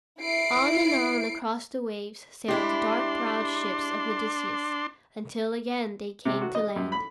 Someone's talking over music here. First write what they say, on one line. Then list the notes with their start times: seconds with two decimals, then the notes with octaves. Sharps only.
On and on across the waves sailed the dark-prowed ships of Odysseus, until again they came to land.
0.21 E4 C7 D7
2.48 G#3 D4 E4 G4 C6
6.25 C3
6.42 F#4
6.55 D#5
6.76 F#2
6.92 B5